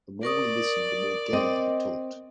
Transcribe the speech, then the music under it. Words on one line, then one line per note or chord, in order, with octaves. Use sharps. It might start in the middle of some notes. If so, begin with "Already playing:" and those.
The more we listened, the more gaily he talked.
A#4 D5 C#6 D#6
C4 D#5 D6